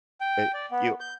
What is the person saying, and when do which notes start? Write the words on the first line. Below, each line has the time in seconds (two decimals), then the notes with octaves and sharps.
eh you
0.21 G5
0.54 D5
0.71 B3
1.00 G6